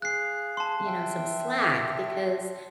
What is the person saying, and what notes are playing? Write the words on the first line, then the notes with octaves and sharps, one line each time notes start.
you know, some slack, because,
G#4 F5 F#6 C7
A5 C6
E5 G5